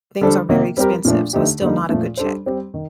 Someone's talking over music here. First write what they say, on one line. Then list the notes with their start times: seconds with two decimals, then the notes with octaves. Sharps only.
things are very expensive. So, it's still not a good check.
0.21 D3 G3 D4 A4 C5
0.49 C3 D#3 A#3
0.77 G3 C4 G4 A#4
1.05 A#2 F3 A3 D4
1.33 D3 A3 D#4 G4
1.61 D3 G3 A#3 D#4
1.89 A#2 F3 A3
2.17 G3 D4 A4 C5
2.46 G3 C4 G4 C5
2.74 D#3